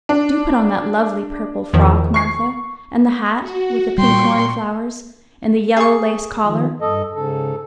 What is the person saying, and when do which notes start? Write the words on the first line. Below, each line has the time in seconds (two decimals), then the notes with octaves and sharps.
Do put on that lovely purple frock, Martha, and the hat with the pink cornflowers, and the yellow-lace collar.
0.09 D4
1.73 E2 D#3 F3
2.14 C#6 C7
3.40 F#4
3.98 A#2 G3 G5 C6 C#6
5.77 G#4 C#6
6.43 D#3 F3
6.81 G2 A4 D#5
7.15 G#2 C#3 A4